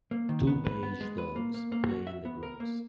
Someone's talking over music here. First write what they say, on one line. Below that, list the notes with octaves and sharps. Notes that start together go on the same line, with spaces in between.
Two beige dogs play in the grass.
A#3
D#3
B3
B4
B3
G#3
B4
A#3
A#3
A#3
F#4
E5
B3
A#4
A#3